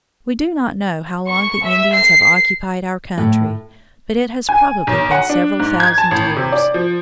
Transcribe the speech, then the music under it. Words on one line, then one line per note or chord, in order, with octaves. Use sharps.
We do not know how long the Indians have occupied our country, but it has probably been several thousand years.
C#6
E5
C7
A2
G#5
B1
F#5
D4
G#2
G#6
A5
A1
C3
D5
F3